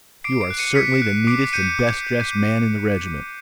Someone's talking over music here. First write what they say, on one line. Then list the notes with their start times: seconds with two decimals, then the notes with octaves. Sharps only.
You are certainly the neatest and best dressed man in the regiment.
0.24 D6 C7 D7
0.41 C7 D7
0.50 F#6
0.59 C#7 D#7
0.75 D6 B6 C#7
1.02 F#6
1.27 D6 C7 D7
1.53 G6 C#7 D#7
1.79 D6
2.05 G6